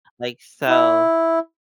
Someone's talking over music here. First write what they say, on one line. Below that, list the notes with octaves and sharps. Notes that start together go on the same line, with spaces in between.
Like, so
E4